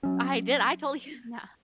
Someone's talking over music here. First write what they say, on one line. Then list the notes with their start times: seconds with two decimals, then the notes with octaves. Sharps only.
I did, I told you that.
0.03 F#3 C#4